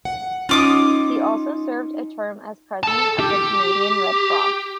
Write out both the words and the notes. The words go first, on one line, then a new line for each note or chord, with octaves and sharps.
He also served a term as president of the Canadian Red Cross.
F#5
C#4 D#4 F4 D6 D#6
A4 A5
G4